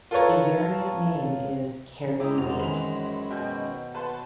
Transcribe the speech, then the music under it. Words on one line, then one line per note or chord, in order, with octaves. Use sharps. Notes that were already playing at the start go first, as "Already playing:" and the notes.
A variant name is "Carey Lake".
F4 A4 B4 C#5 A#5
G#3 E4 G5 A#5 D6 D#6
F1 F#2 F#3 G#3 C5 F7
D#3 E3 B5 F7
B2 G5 G#5 G6
B4 F#5 A5 C6